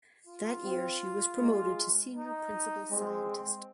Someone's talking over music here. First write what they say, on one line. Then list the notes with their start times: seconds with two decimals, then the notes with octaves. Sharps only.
That year she was promoted to Senior Principal Scientist.
0.27 F4
0.64 C4
1.40 G#3
2.16 D#4
2.91 G#3 C4